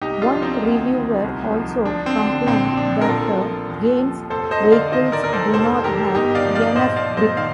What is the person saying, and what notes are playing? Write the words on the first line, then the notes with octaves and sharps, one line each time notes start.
One reviewer also complained that the game's vehicles do not have enough grip.
C2 D#4 G4
D4 F4
F3
C4 D#4
D2
D#3
C2
F3
F3 D4
C4
D3
D4
A#1 C4
F3 D4
A#4
A#1 F4 A4
F3
D#2
F3
F1 A4 C5
C5 D#5
D3
D5 F5
D#3 C5 D#5
A#4 D5
D#2 A#4
A4 C5
F1 A4 C5
D#3 G4 A#4
G1 D#4 G4
D5 F5
F3
D5 F5
A#1 C5 D#5
D5 F5
F3
C5 D#5
D#3 D5 F5